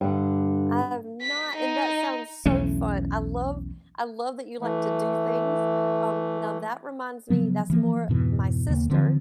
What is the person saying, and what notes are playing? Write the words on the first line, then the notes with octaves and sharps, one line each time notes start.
I have not, and that sounds so fun. I love I love that you like to do things, um, now that reminds me that's more my sister,
G2 D3
B6
D#4
B1 E2 A3 C#4
E3 A3
C#3 F3 F#3 B3
E3 F3 A#3
F2 G#2 B2 E3
D#2 C#3 G#3 A#3
D3 E3 F3 C4